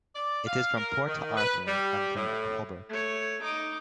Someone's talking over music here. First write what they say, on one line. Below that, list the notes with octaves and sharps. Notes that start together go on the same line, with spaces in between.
It is from Port Arthur, and from Hobart.
D5
F5
A#4
D#3
B4
G3
A2
A3 C#5
D#4 D6